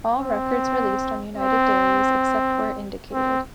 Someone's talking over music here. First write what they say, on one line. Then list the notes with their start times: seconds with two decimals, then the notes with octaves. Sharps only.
All records released on United Dairies, except where indicated.
0.14 C4
1.34 C4
3.13 C4